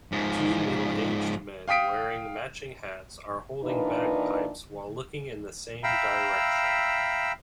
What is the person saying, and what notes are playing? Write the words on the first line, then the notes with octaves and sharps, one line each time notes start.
Two middleaged men wearing matching hats are holding bagpipes while looking in the same direction.
G#2 F3
F5 G5 D#6 B6 D7
A#2 E3 D4 D#4 B4
E5 F5 G5 A#5 B5 E6